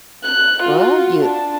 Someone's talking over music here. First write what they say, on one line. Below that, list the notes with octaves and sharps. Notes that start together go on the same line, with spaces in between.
Well, you
F#6
F4 F#4
D4 A5